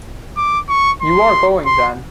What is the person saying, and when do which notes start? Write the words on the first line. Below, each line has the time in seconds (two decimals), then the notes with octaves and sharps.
You are going, then?
0.37 D6
0.69 C#6
1.02 C6
1.66 C6